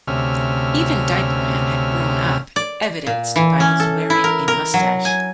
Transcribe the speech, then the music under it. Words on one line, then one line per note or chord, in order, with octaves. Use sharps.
Even Diaper Man had grown up, evidenced by his wearing a mustache.
D2 C3 C#4 E5 F6
D5
A#2
E3
C#4
A4
E4
A#4
A#4
F#3
G#5